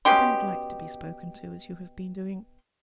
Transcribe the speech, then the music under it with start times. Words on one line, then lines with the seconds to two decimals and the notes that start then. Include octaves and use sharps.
I don't like to be spoken to as you have been doing.
0.05 B2 C#4 G4 C6